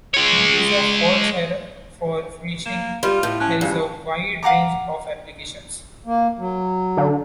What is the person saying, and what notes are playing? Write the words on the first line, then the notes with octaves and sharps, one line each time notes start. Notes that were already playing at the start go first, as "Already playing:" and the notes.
The use of horsehair for fishing has a wide range of applications.
G#3 C#5
A#3 E7
G3 F4 B5 C6 F6
A2 G6
C#4 G#5 A5 F#6
C#2 G2
F5 F#5 A#5 D6
A#3
F#3
D3